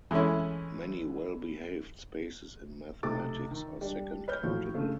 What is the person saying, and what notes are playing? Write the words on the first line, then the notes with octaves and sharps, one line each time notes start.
Many "well-behaved" spaces in mathematics are second-countable.
E3 G#3 A3 C#4 E4
B1 C3 A3 D6 A6
D#3
G3 D4
B4 C#5 F6 G6
A2 D#3 F3 F#4
G2 C#3 A3